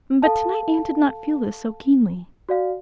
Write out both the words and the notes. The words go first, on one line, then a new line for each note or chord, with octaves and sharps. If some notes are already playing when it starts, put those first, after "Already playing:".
But tonight Anne did not feel this so keenly.
A4 F5 A5
F#4 D5 F5